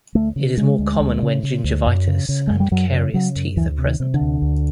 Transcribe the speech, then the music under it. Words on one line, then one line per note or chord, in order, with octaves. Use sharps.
It is more common when gingivitis and carious teeth are present.
D2 A3
C#3
C#3 G#3
D2
D2
C#3
C#3
D2
F#2
C#3
C#3
F#2 G#3
G3
F#2 F#3
C#3
C#3 F#3
F#2
D2 E3
C3
D#3
C3
D3
D2
D2